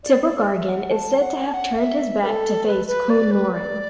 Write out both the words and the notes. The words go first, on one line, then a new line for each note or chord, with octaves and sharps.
Tibrogargan is said to have turned his back to face Coonowrin.
D5
D5
D5
E5
F#5
A5
F#5
A5
F#5
E5
B4
A4
B4
B4
D5
B4
D5